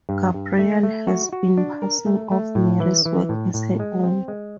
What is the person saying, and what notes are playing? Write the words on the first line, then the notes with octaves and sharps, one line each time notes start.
Gabrielle has been passing off Mary's work as her own.
G2
G2
A3
A3
F#4
F#4
D4
A#4
A3
A3
A2
E3
E3
A2
A2
G#3
C4
G#3